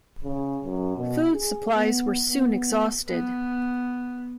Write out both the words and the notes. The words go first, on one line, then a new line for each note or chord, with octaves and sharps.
Food supplies were soon exhausted.
C#3
F#2
B2
G#4
B3
B3
B3